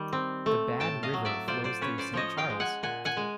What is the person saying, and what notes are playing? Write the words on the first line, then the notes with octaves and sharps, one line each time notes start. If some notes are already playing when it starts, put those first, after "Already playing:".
The Bad River flows through Saint Charles.
Already playing: D#3 G3
C4
A3
A2 G5 A5
D#5 F5
F#3
D5 E5
F4 C5 D5
C5 D5
C#4 B4 C#5
C5 D5
F3 C#5 D#5
F5 G5
G#3
F#5 G#5
A#2 F#5 G#5
F#5 G#5
G#3